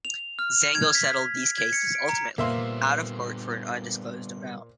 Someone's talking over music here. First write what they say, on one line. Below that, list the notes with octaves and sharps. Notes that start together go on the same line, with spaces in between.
Xango settled these cases ultimately, out of court for an undisclosed amount.
F7
F6
G#6
B6
G#6
C#7
D7
A#5
A#2 G3 A#3 B3 C5 E5 C6